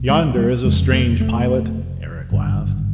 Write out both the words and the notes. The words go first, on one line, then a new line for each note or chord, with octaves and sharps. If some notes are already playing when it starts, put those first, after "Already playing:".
"Yonder is a strange pilot," Eric laughed.
Already playing: C#2 B2
G#3
G3
F1 F2 C#3 G#3
A3
A3
G#1 G2 D3